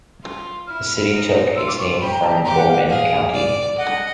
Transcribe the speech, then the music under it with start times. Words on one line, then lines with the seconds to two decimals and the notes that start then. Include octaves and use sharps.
The city took its name from Bowman County.
0.23 F4
0.67 E4 F6
1.12 D#4
1.56 F4 E6
1.67 D6
1.78 C#6
1.90 C6
2.01 G4 B5
2.12 A#5
2.23 A5
2.34 A#5
2.45 G4
2.56 F#5
2.67 F5
2.78 F#5
2.89 G#4 F5
3.33 D5
3.78 D#5 F#5